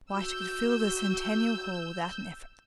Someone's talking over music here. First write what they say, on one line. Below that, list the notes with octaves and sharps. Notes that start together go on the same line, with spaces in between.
Why, she could fill the Centennial Hall without an effort.
F#4 E6 G6